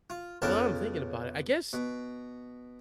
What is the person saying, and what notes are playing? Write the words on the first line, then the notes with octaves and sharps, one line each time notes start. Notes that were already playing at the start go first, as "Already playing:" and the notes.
well now that I'm thinking about it, I guess,
F4
F2 C#3 B3 G4 A#4 A5
B2